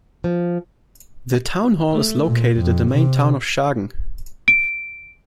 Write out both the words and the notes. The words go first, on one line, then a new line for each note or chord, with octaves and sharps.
The townhall is located in the main town of Schagen.
F3
A3
A#2
F2
C3
D7